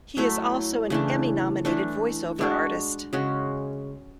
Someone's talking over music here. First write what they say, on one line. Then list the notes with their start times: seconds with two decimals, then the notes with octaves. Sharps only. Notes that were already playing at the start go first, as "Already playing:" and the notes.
He is also an Emmy nominated voice over artist.
0.17 F#3 A3 E4
0.90 C#3 E3 A3 D4
1.65 E3 A3 D4
2.39 G#3 D4 F#4
3.13 C#3 G#3 C#4 F#4